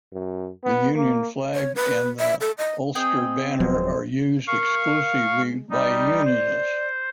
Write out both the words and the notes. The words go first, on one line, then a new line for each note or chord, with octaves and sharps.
The Union Flag and the Ulster Banner are used exclusively by unionists.
F#2
B3
A#3
C#5
B4
E5
A4
D#5
C4 G#4 D#5 G5
D1 F#2 F3 F#3 G#3 C5
A#4 F5 C#6
G#3
G3 D#4 D5
C5